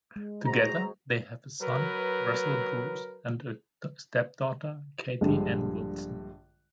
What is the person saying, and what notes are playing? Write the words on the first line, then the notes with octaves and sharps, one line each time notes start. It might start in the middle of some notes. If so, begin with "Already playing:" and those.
Together they have a son, Russell Bruce, and a stepdaughter, Kathy Ann Wilson.
G#3
F#4 G#4 C5 A#5
F#3 A#4 B4
A#1 G2 D3 G3 G#3